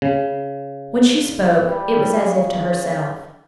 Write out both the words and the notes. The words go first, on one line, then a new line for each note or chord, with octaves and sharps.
When she spoke, it was as if to herself.
C#3
G3
C#3